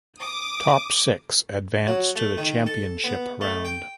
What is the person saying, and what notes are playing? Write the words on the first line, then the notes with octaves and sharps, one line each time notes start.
Top six advance to the championship round.
D6 D#6
F#3
A3
D#3
A4
B3
A3
G5